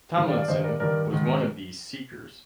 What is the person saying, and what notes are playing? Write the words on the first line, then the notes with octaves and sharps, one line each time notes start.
Tomlinson was one of these seekers.
G2 D#3
D5 F5
D5 F5
G2 D#3 C5 D#5
A#4 D5
G2 D#3 A#4 D5
G#2 D#3